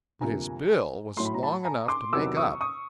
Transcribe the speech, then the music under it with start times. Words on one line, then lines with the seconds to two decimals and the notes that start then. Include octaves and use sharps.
But his bill was long enough to make up.
0.21 D2 C3 F3 A#3 G#5 A#5
1.17 A2 F#3 A3 C6
1.25 B5
1.34 A#5
1.43 A5 B5
1.65 G#5 A#5
1.88 C6 D6
2.13 E2 C3 D#3 F#3 B3 D6 E6
2.37 C#6 D#6
2.61 C#6 D#6